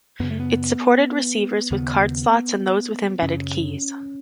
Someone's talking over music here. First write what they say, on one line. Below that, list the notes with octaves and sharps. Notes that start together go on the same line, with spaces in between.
It supported receivers with card slots and those with embedded keys.
F#2 C#3 B3
A3
B3
D#2 C#3 B3
F#2 C#3 C#4